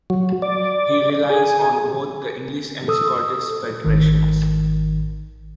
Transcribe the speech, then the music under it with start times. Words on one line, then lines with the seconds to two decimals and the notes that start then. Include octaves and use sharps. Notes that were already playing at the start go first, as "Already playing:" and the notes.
He relies on both the English and Scottish federations.
0.10 F#3
0.42 D5
1.30 G#4
2.88 A4 D#6 E6
3.84 G#1 D#3